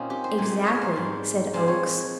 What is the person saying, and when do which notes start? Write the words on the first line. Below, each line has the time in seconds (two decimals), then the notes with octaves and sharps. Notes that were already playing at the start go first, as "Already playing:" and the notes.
"Exactly," said Oakes.
Already playing: A#2 A#3 C4 C#4 D#4 F4
0.10 G4
0.24 C5
0.38 A#2 G#3 C4
0.67 C#5
0.75 A#4
0.81 C5
0.96 G#2 G3 C4
1.53 A#2 F3 G#3 C4 C5
1.68 C#5